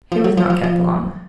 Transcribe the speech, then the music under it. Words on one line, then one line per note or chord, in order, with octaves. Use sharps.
He was not kept long.
F3
F#3
F3
F3
F3